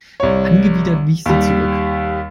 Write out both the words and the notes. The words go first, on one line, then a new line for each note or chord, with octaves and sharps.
Angewidert wich sie zurück.
C2 C#5
D#2 G3